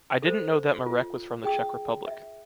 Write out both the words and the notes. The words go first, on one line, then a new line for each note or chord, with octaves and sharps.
I didn't know that Marek was from the Czech Republic.
A4 C5
F4
G#4 G5 D#6
E5